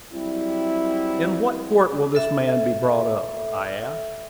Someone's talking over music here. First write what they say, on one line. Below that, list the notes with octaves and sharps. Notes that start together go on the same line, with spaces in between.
"In what court will this man be brought up?" I asked.
F#3 G3 C4 E4
A4 E5